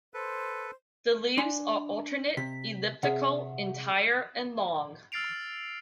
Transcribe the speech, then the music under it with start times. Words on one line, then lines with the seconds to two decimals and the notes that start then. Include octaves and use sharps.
The leaves are alternate, elliptical, entire, and long.
0.14 A4 B4 C5
1.38 D4 G#5 C6
2.37 C3 B6
3.03 C3 G#4 E5 F#5
5.12 E6 F6 A6 C7 D7 F7